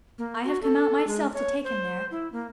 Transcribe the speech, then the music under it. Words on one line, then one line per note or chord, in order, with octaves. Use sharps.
I have come out myself to take him there.
A#3
F#4
A4
G#3
C#5
C5
E4
A#3